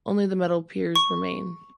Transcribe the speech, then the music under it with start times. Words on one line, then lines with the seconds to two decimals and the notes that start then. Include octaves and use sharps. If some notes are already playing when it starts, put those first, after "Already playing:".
Only the metal piers remain.
0.96 C#6